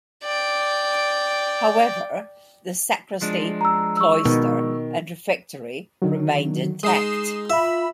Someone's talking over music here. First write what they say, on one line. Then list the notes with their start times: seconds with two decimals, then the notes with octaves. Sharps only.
However, the sacristy, cloister, and refectory remained intact.
0.24 D5 G5
3.21 F3 G#3 D4
3.61 A#5 E6
3.97 C#6 E6
4.25 B2 D#3
6.02 D3 D#3 F#3
6.83 G#3 D#4 D#6 C7 E7
7.50 F4 E5 B5